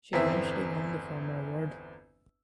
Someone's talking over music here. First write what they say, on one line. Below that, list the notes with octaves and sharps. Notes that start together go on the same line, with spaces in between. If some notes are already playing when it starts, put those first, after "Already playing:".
She eventually won the former award.
G1 E2 C4 E5